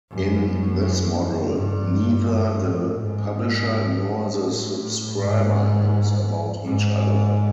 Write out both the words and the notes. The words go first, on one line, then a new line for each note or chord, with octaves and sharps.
In this model, neither the "publisher" nor the subscriber knows about each other.
F#2
G2
G2
A2
G#2
A2
G#2
G#2